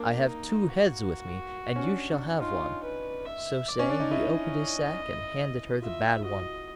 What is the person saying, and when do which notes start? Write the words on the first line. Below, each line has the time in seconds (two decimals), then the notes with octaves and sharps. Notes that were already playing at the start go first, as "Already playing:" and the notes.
'I have two heads with me, and you shall have one.' So saying, he opened his sack, and handed her the bad one.
Already playing: A#3 D4
0.26 D#4
0.69 F#4
1.76 C#4
1.83 D4
2.11 D4
2.40 D#4 F4
2.83 B4
3.25 E5
3.68 D5
3.79 C#4
3.90 D4
4.00 D#4
4.11 E4 D#5
5.82 F4 E5
6.24 F#4 D#5